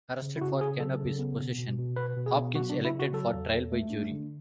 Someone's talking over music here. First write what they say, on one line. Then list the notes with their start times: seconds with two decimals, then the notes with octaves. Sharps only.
Arrested for cannabis possession, Hopkins elected for trial by jury.
0.22 C#3
0.36 E4
0.41 C#3 F#4
0.61 C#3 G#4
0.80 F#3 A4
1.00 C#3
1.19 B3
1.39 B2
1.58 B2
1.78 B2
1.96 B2 B4
2.16 B2
2.26 G#4
2.36 B3
2.55 F#3 F#4
2.70 D4
2.74 C#3
2.85 E4
2.95 C#3 F#4
3.13 F#3 A4
3.33 E2
3.52 E2
3.72 A3
3.90 D4
4.11 D3